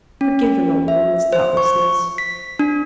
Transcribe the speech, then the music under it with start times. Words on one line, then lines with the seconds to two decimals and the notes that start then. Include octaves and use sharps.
Forgive an old woman's thoughtlessness.
0.21 C#4
0.88 E5
1.33 C5
1.57 C#6
2.18 B6
2.59 D4